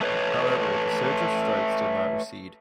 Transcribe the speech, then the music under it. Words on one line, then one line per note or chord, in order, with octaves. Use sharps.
However, the surge of strikes did not recede.
A3 B4 C#5